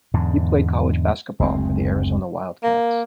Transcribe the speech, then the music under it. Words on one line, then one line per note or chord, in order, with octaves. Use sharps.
He played college basketball for the Arizona Wildcats.
E2 G#2 D3
F#1 D2 G#3 C4
A#3